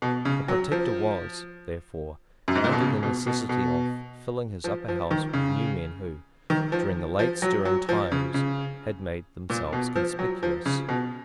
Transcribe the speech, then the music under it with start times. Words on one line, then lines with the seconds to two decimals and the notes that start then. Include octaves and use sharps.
The Protector was, therefore, under the necessity of filling his Upper House with new men who, during the late stirring times, had made themselves conspicuous.
0.02 B2
0.25 C#3
0.48 F#3
0.72 F3
2.48 F#2
2.55 G#2
2.64 A#2
2.72 B2
2.80 C#3
3.03 B2
3.27 B2
3.49 B2
4.64 F3
4.88 F3
5.11 D#3
5.33 C#3
6.50 D#3
6.72 F3
7.19 F3
7.42 F#3
7.65 F#3
7.89 F3
8.12 C#3
8.34 C#3
9.50 A#2
9.73 B2
9.96 F3
10.19 F#3
10.43 F3
10.66 C#3
10.89 B2